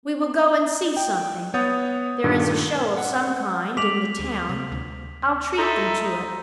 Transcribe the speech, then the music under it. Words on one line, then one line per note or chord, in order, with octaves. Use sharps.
We will go and see something. There is a show of some kind in the town--I'll treat them to it.
G5
B3 C#5 F#5 D#6 G6 A6
G2 A#2 D3 D#3
F#5
G#3 D6 B6 F7 F#7
D2
C3
D2
D#4 E4 A4 A#5 C6 E6